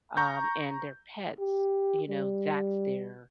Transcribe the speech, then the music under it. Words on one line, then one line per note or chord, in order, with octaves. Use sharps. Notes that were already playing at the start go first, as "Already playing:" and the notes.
um, and their pets, you know, that's their
A#5 C#6 G6
G4
G3